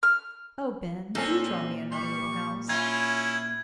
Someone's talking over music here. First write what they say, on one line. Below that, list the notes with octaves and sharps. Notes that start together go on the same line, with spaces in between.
"Oh, Ben, do draw me another little house!"
F6
A#2 C4 C#4 A4
G3 C#6
C#4 E4 F4 G#6